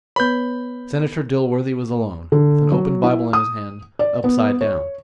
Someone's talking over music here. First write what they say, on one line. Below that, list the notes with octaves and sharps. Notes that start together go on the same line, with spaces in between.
Senator Dilworthy was alone--with an open Bible in his hand, upside down.
B3 B4 C#5 B5 G6
D3
F#3
E4
D#6
D5
B3
C#5